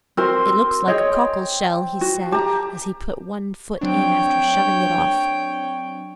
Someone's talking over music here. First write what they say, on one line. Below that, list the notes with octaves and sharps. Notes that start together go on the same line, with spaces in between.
"It looks like a cockle-shell," he said, as he put one foot in after shoving it off.
C4 F#4 A#4 C6
G#4 C#5 D#5 G5
F#4
G4 A5 A#5
F#3 C4 D4 C#5 G5